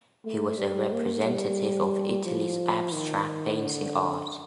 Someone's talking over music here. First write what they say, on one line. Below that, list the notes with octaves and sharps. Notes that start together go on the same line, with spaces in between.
He was a representative of Italy’s abstract painting art.
A3
G3
A#3
G3
F3
D#3
D3